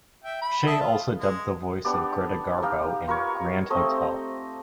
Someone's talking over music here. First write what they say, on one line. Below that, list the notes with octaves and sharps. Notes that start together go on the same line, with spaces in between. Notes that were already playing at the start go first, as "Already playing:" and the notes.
Shay also dubbed the voice of Greta Garbo in "Grand Hotel".
E5 G5
B5
D#5 E5 A5
F4
G#3
B3 D4 G4 D5
D#4 G4 F5
F4 A#4 B4 C#5
A3 C4 D#5